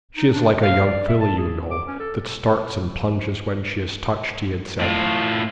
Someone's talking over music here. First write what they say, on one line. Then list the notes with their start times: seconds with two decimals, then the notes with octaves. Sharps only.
'She is like a young filly, you know, that starts and plunges when she is touched,' he had said.
0.17 D#4
0.33 D4
0.50 G#3
0.62 F5
0.86 D5
1.08 E5
1.21 A5
1.38 G#4
1.71 D6
1.87 C#4
2.00 A4
4.81 A2 F4